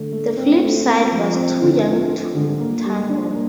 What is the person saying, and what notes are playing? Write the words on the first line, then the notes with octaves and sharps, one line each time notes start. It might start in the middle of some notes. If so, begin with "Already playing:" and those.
The flip side was Too Young to Tango.
Already playing: D3 A3
A3
C4
A3
C4
F3
C4
D3
F4
F4
D3
A#3
G3
D4
A#3